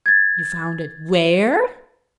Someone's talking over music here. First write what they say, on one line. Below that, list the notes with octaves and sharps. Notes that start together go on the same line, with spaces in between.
"You found it--WHERE?"
G#6 A6